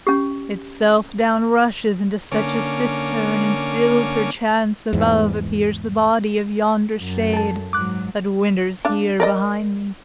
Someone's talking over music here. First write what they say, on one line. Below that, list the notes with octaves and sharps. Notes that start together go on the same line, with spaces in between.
Itself down rushes into such a cistern; And still perchance above appears the body Of yonder shade, that winters here behind me.
C#4 G4
D3 A#3 C#4 C#5 G#5 D6
E2 G#2
F#2
A4 A5
G#2 F#3 D6 F#6
D4 F5
A#4 D5 D#5